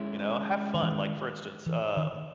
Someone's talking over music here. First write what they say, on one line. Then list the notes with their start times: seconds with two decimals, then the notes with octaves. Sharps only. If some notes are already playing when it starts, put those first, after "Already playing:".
You know, have fun. Like, for instance, um,
Already playing: G#3 C#4 E4
0.74 D#3
0.83 E3
0.92 D#3
1.66 E3
1.97 D#3